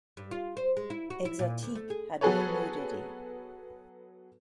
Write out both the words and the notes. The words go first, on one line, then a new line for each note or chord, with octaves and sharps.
"Exotique" had no nudity.
G2
F4
C5
G#3
E4
F#4
E4
A#2
D2
A3
G#4
F#3 B3 G#4 A4 B4 C#5